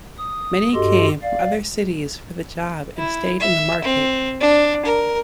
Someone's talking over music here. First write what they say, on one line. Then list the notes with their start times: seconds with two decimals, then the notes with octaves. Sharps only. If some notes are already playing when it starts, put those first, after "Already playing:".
Many came from other cities for the job and stayed in the market.
0.18 D#6
0.74 G2 F#4 G4 A4 D#5 C6
1.23 D5 F5
2.97 E4
3.40 E5
3.84 C4
4.40 D4
4.85 A#4